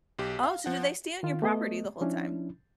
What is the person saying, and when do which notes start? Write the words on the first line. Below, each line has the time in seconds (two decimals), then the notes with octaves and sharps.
Oh, so do they stay on your property the whole time?
0.19 B1 G4
0.44 F5
0.66 F3 F#5
1.23 D#3 F4
1.42 A3 B3 D#5
2.01 F3 C#4 D4 E4